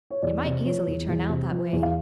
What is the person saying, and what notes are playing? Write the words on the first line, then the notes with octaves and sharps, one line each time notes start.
It might easily turn out that way.
C#5
E2 D5
C3
F3 C#5
E2
E2
C3
F3
E2
F5